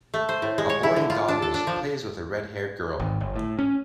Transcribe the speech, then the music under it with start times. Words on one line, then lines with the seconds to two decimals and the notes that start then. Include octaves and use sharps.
A boy in goggles plays with a readhaired girl.
0.14 A3
0.29 C5
0.42 A2
0.58 G#3
0.70 C#5
0.83 E4
0.96 D3
1.10 F4
1.28 D4
1.42 A4
1.54 D4
1.67 F3
3.00 G#1
3.21 G1
3.36 A2
3.59 C#4